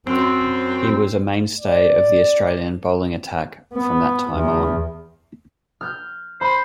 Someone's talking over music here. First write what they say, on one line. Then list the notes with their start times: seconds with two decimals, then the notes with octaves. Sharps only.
He was a mainstay of the Australian bowling attack from that time on.
0.07 F#2 C4
1.60 D5
3.73 B3
4.35 E2
5.81 F6 G6
6.41 C5 B5